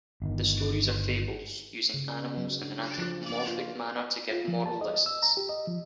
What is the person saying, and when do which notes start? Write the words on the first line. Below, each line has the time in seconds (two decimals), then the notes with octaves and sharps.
The stories are fables, using animals in an anthropomorphic manner to give moral lessons.
0.22 G1 D#3
1.94 C#3
2.37 F#3
2.62 D4
2.98 F3
3.30 A#3
3.47 F4
4.31 F4
4.48 F3
4.66 A5
4.81 D#5
4.94 D#5
5.06 E6
5.23 A#5
5.37 G4
5.49 D#5
5.68 F3